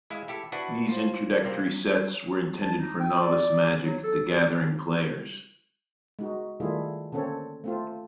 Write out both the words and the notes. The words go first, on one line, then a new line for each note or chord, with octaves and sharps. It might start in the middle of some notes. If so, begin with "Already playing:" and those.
These introductory sets were intended for novice Magic: The Gathering players.
G#3 E4 E5 F5
E4 G4 A4
D4 E4 F#4 B4 F#5
F4 C5
C3 A#3 C4
A5
D#4
G5
D5
F#3
A4
G#3 D#4 F#4
D#3 G3 A3 E4 F4 G#4
D3 A#3 C4 C#4 A4 C#5
A3 C4 F4